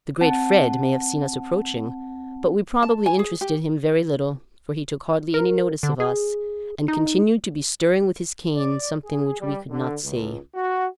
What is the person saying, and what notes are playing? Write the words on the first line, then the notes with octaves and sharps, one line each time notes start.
The great Fred may have seen us approaching, but we probably interested him very little, for he took hardly any notice of us and continued to be stirring with his cane something which we could not see.
C4 F#5 A5
A5
G#5
G#4
G4
A#4
D3
G#4
D#4
D5
G#4
G3
D3
C#2
F#4